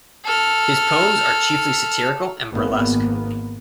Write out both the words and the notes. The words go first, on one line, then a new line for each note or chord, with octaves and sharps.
His poems are chiefly satirical and burlesque.
A4 F6
G#1 A#3 B3